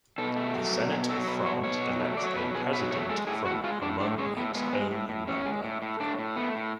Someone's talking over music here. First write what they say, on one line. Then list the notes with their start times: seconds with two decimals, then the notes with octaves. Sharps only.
The Senate of France elects a president from among its own number.
0.18 B2 A4
0.36 A3
0.55 F#3 A4
0.73 B2
0.91 B2 G#4
1.09 F#3 A4
1.27 B2 B4
1.45 B2 C#5
1.64 B2 C#5
1.81 F#3
2.00 A3
2.17 F#3 D5
2.27 C#5
2.36 B2 B4
2.54 B2 G#4
2.73 F#3 B4
2.91 A3 C#5
3.09 G#3 A4
3.27 A2 G#4
3.45 A2 F#4
3.64 G#3 F4
3.82 A2 D4
4.00 A2 D4
4.18 G#3 C#4
4.37 A2 B3
4.55 G#3 B3
4.73 G#3
4.91 A2
5.09 A2
5.27 A2 C#4
5.46 G#3
5.64 A2
5.82 A2
6.00 A2 D4
6.19 A2
6.36 A3 B3
6.55 A2